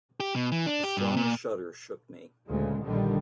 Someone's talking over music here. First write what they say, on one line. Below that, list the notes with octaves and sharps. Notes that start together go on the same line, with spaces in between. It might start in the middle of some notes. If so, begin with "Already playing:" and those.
A strong shudder shook me.
G4
B2
E3
D4
G4
G2
A#2
D2 A#2 C#3 G#3
A#1 D3 D#3 G3